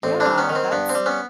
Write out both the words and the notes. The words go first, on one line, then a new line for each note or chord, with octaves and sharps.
Yeah, that's
A1 C4
C4 D4
G3
B3 C#4
D#3
C4
G2 B3
C4
G3
B3 C#4